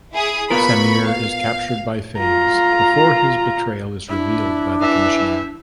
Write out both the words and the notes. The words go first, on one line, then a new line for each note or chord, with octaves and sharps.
Sameer is captured by Faiz before his betrayal is revealed by the commissioner.
E4 G#4 D#6
B3 F4 A#4 B5 C#6
F5
F4 A#5
D4 E4
E3 E5